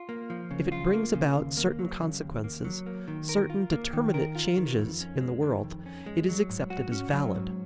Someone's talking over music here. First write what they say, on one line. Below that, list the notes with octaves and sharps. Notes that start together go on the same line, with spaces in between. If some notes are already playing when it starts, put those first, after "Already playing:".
If it brings about certain consequences, certain determinate changes, in the world, it is accepted as valid.
Already playing: F4
A#3
F3
C#3
F4
A#3
C#3
D#2
A#3
F#3
C#3
D#2
A#3
F#3
A#3
D#3
A#4
F4
A#3
D#3
A#4
F4
D#3
F2
C#4
G#3
D#3
F2
C#4
G#3
F#3
G#2
F#4
C#4
F#3
G#2